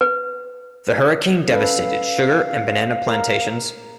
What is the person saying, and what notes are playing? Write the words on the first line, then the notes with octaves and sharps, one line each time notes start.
The hurricane devastated sugar and banana plantations.
B4
C#4 A4 B4 F5
A#4